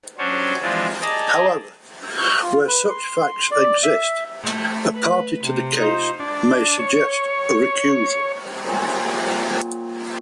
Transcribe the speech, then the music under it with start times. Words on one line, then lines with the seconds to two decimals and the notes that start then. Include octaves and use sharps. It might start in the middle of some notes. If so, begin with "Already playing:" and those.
However, where such facts exist, a party to the case may suggest recusal.
0.18 F#3 C#4 D4 C5 C#5
0.62 E3 F3 G#3 C4 D4 F4
1.02 G#4 D5 D#5 A5 A#5
2.18 C#6
2.42 F4
2.67 B4
2.90 C6
3.51 D5
3.83 E5
4.42 A3
4.95 B4
5.44 C3
5.77 D#4 F4 C5
6.20 D4
6.79 C#5
8.67 A#2 F#3 C4 G#4